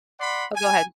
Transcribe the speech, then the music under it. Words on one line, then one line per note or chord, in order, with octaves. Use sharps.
Oh, go ahead.
D5 F#5 B5 C6
G#5